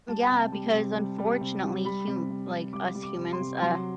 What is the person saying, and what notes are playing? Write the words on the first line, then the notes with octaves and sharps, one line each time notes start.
Yeah, because, unfortunately, hum like, us humans, uh,
G3 A5
G5
C3 A5
G3
C3
G3
G3
C3
G3
G3 B5
C3
C3
C3
G3 D6
G3
D6
C3
C6
C3
F#3 C6